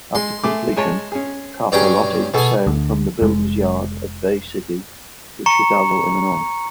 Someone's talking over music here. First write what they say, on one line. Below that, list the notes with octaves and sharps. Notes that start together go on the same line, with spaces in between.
After completion, "Carpellotti" sailed from the builder's yard at Bay City to Chicago, Illinois.
G#3 C6
A3 G#4 D6
G#3 C#5 A5
C#4 G#4
G2 F#3 G3 C#4 G#4 G5
B2 G#4 A4 G#5
D2
F1 G#3
A#5 C#6 C#7